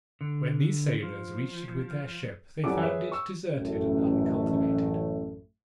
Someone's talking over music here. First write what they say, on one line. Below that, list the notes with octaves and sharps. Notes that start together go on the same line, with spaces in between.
When these sailors, reached it with their ship they found it deserted and uncultivated.
D3
F3
F#2 G3 E4 A4 F#5 D6
G#4 B4 C#5 E5
C#6 E6
A1 F#2 A3